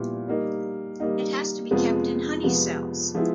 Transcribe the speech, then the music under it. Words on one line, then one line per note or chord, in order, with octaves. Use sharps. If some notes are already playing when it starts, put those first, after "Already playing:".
It has to be kept in honey cells.
Already playing: A#2 G3 B3 E4
G3 A#3 D#4
G3 A#3 D#4
F2 C3 F3 G#3 B3
F2 C3 F3 G#3 B3
F3 G#3 B3 E4 G#4